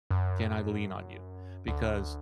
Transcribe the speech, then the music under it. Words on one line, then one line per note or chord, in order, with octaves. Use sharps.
Can I lean on you? Because
F#2
D2